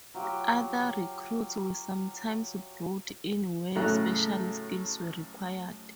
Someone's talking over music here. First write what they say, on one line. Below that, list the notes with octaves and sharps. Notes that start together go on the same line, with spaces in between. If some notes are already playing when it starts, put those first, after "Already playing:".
Other recruits were sometimes brought in where special skills were required.
F#3 F4 G4
A2 C#3 F#3 A3 A#5 F#6